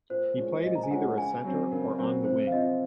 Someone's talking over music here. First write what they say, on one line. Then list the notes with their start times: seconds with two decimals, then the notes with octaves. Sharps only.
He played as either a centre or on the wing.
0.10 A#2 C5
0.37 G#3 C#4 F4
0.63 A#2 D#5
0.75 A#5
0.83 G#5
0.91 G#3 C#4 F4 F#5
1.17 C#3 G#5
1.44 F#3 C4
1.71 C#3 A#4
1.98 F#3 C4 C5
2.25 C3 C5
2.47 F5
2.52 F3 C4 F4 D#5